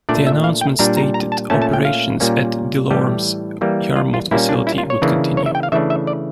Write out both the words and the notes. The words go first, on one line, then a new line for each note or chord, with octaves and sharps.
The announcement stated operations at DeLorme's Yarmouth facility would continue.
A#2 A3 D4 D5
E5
F5
G5
A#2 G3 D4 A#5
A#5
A#5
A5
A#2 A3 C#4 A5
A5
G5
F5
A#2 G3 A#3 C#4
A2 E3 G3 G4
E3 G3 A#3
F4
F4
A#2 G3 A#3 C#4 E4
D4
E4
F4
C#5
C#3 E3 A#3 D4
C#5
E5
G5
F5
C#3 E3 A3 D4 E5
E5
D5